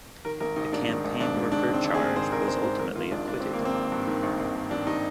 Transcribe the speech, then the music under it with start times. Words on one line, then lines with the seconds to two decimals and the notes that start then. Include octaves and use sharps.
The campaign worker charged was ultimately acquitted.
0.25 D#3 A#4
0.40 G#1 A#4
0.56 G#1 D#4
0.73 G#2 D4
0.88 D#3
1.04 G#1
1.20 G#1 D4
1.36 G#2
1.52 D#3 D4
1.68 G#1
1.74 C4
1.84 G#1
1.94 G#4
2.00 G#2
2.16 D#3 C5
2.32 G#1 A#4
2.48 G#1 C5
2.63 G#2 C5
2.79 D#3 A#4
2.95 G#1 F4
3.11 G#1 D4
3.28 G2 D4
3.40 D#3 C4
3.53 A#3
3.60 G#1
3.65 C4
3.75 G#1
3.92 G2
4.07 D#3
4.23 G#1
4.40 G#1
4.55 G2
4.71 D#3 D4
4.87 D#4